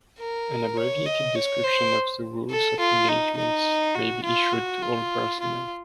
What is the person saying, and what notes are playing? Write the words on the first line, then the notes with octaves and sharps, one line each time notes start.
An abbreviated description of the rules of engagement may be issued to all personnel.
A#4
C#5
D#5
C#5
C5
A4
F4
D#4
D#4
F#4
F4
F#4
F4
F4